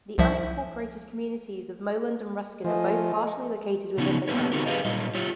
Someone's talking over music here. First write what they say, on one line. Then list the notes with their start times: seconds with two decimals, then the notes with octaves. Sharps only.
The unincorporated communities of Moland and Ruskin are both partially located within the township.
0.18 C2 F3 E5
2.64 F3 A3 D#5 G#5
3.98 C#3 F3 B3 C#4 D#4
4.28 A#3 B3 G4 B4 C#5
4.52 D3 C4 D#4 F#4 G4 A#4
4.67 G4 G#4 B4 D#5 F5
4.84 A#2 F#3 G3 D#5
5.15 F4 G4 C#5